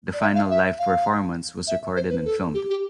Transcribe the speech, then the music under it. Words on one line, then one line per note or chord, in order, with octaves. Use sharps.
The final live performance was recorded and filmed.
D5
E5
F5
E5
F5
E5
C5
B4
A4
G4
G4